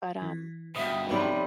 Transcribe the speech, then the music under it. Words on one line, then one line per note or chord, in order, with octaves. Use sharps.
but, um,
E3
G2 B2 E5 D#6
F2 C3 G3 B3 D#4 C#5 B5